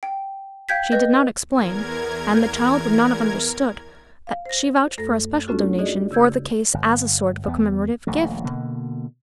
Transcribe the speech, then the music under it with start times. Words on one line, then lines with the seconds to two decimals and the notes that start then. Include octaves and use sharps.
She did not explain, and the child would not have understood, that she vouched for a special donation for the case as a sort of commemorative gift.
0.03 G5
0.69 F5 G5 G6 G#6 B6
0.92 B4 D#5 G6
1.51 E2 A#4 G#6
4.27 F5
4.46 C5 A#6
4.98 F#2 A3 A4 A#6
5.47 A3 C#4 D4 F4 F#4 A4
5.78 D#4 F#4 G#4 D5 D#5
6.11 C#3 E6 G6 G#6
6.74 G1
7.47 E2 B3
8.07 D#1 A#1 A#2 A3
8.44 B2 D3 A#3